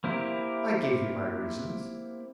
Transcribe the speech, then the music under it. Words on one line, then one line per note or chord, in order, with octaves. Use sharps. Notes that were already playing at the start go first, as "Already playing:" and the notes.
"I gave you my reasons."
A#3 C4 E4 G4 A#4